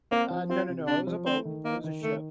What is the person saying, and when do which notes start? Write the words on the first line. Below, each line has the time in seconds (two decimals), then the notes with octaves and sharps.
Uh, no, no, no, it was a boat, it was a ship.
0.12 A#3 C4
0.30 F3
0.50 C4 F4
0.69 C3
0.87 C3 D4
1.07 F3
1.26 A3 C4
1.45 D#3
1.64 A#3 D#4
1.84 D#3
2.03 D#3 A3